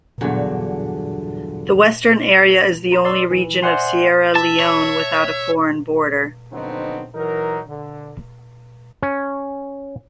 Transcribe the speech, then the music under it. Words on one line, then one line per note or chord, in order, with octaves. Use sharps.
The Western Area is the only region of Sierra Leone without a foreign border.
E2 G2 A#2 D3 F#3
A#5 C6
D5 C6 E6
E3
C5 D5 E5 F#5 G#5 C6
E5 A5
C#5
D3 F3 F#3 B3 C4 D#4
E3 F#3 D#4 A#4
D3
C#4